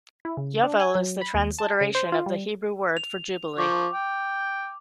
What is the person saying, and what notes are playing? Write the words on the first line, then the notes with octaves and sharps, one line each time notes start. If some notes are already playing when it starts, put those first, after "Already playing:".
Yovel is the transliteration of the Hebrew word for Jubilee.
E4
C#3
D4
G#5
F#3
B5
D#2
A5
C#3
C5
F4
G3
F7
F3 C#6 D6
G5